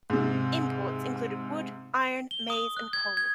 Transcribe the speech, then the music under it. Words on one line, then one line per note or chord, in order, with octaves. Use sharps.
Imports included wood, iron, maize and coal.
G#2 C3
G7
D#6
F#6
G#6
G#6